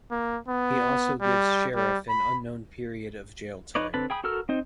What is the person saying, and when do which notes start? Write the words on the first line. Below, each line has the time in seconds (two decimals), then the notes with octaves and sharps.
He also gives Sheriff an unknown period of jail time.
0.11 A#3
0.48 B3
1.21 G3
1.75 G3
2.08 B5
3.75 D#4 B4 C#5 D5
3.94 D3 C4 B4 A5 B5
4.10 G#4 G5 B5 D#6
4.24 F#4 A4 A#4 E6 F6
4.49 C4 D#4 C5